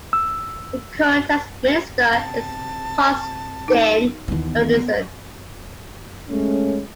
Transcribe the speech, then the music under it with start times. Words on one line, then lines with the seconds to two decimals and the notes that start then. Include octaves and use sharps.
The current Tax Minister is Karsten Lauritzen.
0.13 E6
2.13 C3 A5
3.68 D#4
4.28 D#2 B2 E3
6.30 G#3 A3 C#4